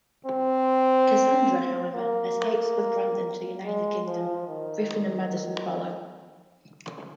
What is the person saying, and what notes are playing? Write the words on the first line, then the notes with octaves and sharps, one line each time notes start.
Cassandra, however, escapes with Brandon to the United Kingdom; Griffin and Madison follow.
C4
A#3
G#3
F3
D#3